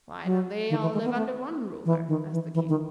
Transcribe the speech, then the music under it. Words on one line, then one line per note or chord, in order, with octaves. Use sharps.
"Why don't they all live under one ruler?" asked the King.
F#3
D#3
E3
G#3
B3
A3
E3
D#3
E3
E3
D#3